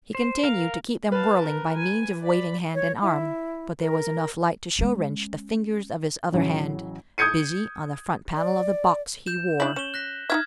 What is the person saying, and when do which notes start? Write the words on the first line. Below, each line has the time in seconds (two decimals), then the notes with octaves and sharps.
He continued to keep them whirling by means of waving hand and arm, but there was enough light to show Rynch the fingers of his other hand, busy on the front panel of the box he wore.
0.15 C5
0.44 A#4 F5
1.12 B4 F5 A5
1.41 A#4
1.76 G#5
2.22 D5 B5
2.75 C#5
3.02 E4
3.80 A#4
4.79 G#3 C#4
6.32 A1 C#3 F#3 C#4 E4
7.18 D#6 G6 G#6 C#7 D#7
8.37 D5
9.26 G6 E7
9.60 D4 E4 F#7
9.76 C#4 E7 G7
9.94 F#6 A#6 B6
10.30 D#4 E4 E5 D#6 F6 G#6